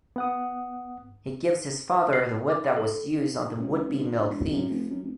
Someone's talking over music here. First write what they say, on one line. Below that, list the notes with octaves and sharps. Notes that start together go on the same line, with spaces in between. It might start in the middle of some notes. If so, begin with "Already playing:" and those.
He gives his father the whip that was used on the would-be milk thief.
B3 F#5 D#6
C7
D6
A4
C#2
G#1
D3
E1
F#2
F1
F#2
F1